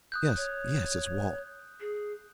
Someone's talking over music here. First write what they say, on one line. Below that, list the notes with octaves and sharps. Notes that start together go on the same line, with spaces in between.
Yes, yes, it's Walt.
D#6 F#6 G6
C#5
G#4